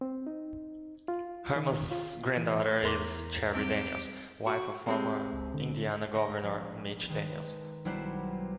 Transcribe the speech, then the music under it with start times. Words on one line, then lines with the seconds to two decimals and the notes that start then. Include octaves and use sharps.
Herman's granddaughter is Cheri Daniels, wife of former Indiana Governor Mitch Daniels.
0.01 C4
0.27 D#4
1.08 F4
1.56 D#3
1.92 F4
2.37 E3
2.83 E2 A#4 C6 D6
3.54 G3 C4 D#4 G4
4.47 F#4
4.86 C3 G#3 C4
5.33 C#2
5.54 D3
6.14 D#5
6.42 A#1
7.09 D#3 G#3 B4
7.85 B1 G3 E4 C5 F#5 F#6